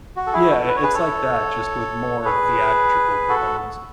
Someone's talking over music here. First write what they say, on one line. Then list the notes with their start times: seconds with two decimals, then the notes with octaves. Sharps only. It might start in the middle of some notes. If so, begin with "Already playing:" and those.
Yeah, i it's like that, just with more theatrical components.
0.16 F#4
0.27 A4
0.33 E4 G#4
0.50 F#4 A4
0.68 B4
0.76 C#5
0.83 G#4 B4
0.94 A4 C#5
2.25 G#4 B4
3.29 F#4 A4